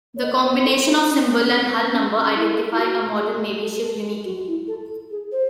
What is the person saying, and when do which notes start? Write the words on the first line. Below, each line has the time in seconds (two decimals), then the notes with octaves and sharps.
The combination of symbol and hull number identify a modern Navy ship uniquely.
0.16 C#5
0.23 D#5
0.44 C5
0.64 A4
1.08 C#4
1.49 C#4
1.92 C#4
2.35 E4
2.71 E4
2.77 F#4
3.19 G#4
3.61 A4
3.76 G#4
3.83 A4
4.04 G#4
4.25 F#4
4.47 E4
4.67 A4
5.11 G#4
5.32 C5